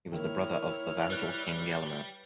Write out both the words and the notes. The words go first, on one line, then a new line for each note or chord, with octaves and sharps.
He was the brother of the Vandal king Gelimer.
D#3 A#3 E4 C#5 F6
G3 B4 F#6